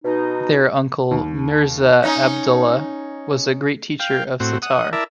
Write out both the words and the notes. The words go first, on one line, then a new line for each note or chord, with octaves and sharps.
Their uncle Mirza Abdollah was a great teacher of setar.
B2 D#4
D#2
C#4 D#4
F5 G5
A2 C4 F#4
F#5 D#6
E4 A#4 D5 E5 A5